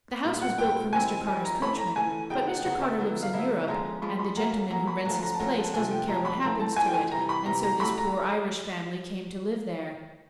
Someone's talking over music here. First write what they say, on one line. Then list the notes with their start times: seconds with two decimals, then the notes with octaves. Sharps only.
The house was built for Mr. Carter's coachman, but Mr. Carter lives in Europe, and the gentleman who rents his place doesn't care what happens to it, and so this poor Irish family came to live there.
0.24 A#2 G3 C4
0.41 F#5
0.58 A#2 G3 C4 G5
0.92 D#3 G3 C4 E4 G#5
1.27 D#3 G3 C4 E4 G#5
1.45 A#5
1.61 E3 A3 C#4 B5
1.78 A#5
1.96 E3 A3 C#4 G#5
2.30 C#3 F#3 B3 D#4 G5
2.47 F#5
2.64 C#3 F#3 B3 D#4 F#5
2.82 E5
2.99 D3 F#3 B3 E4
3.22 F5
3.33 D3 F#3 B3 E4 E5
3.68 F3 G#3 C#4 F4 A#5
4.02 F3 G#3 C#4 F4 B5
4.19 B5
4.36 F#3 A#3 C#4 A#5
4.70 F#3 A#3 C#4 A#5
4.87 B5
5.05 F3 A3 C#4 F#4 A#5
5.23 A#5
5.34 A5
5.39 F3 A3 C#4 F#4 A#5
5.57 A5
5.73 C3 F3 A3 D4 G#5
5.91 G5
6.08 C3 F3 A3 D4 A#5
6.25 B5
6.43 E3 A3 C#4 F4 A#5
6.60 A5
6.76 E3 A3 C#4 F4 G#5
6.86 G5
6.94 G#5
7.12 C3 E3 G3 A#5
7.29 B5
7.46 C3 E3 G3 A#5
7.63 A#5
7.80 A3 C#4 F#4 A4 B5
7.98 A#5